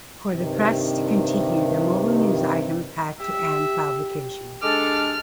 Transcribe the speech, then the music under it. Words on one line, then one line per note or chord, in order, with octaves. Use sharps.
For the "Press" to continue, the "Mobile News-Item" had to end publication.
G2 C3 D#3
G4 E5
G#3 D4 A4 D6 F6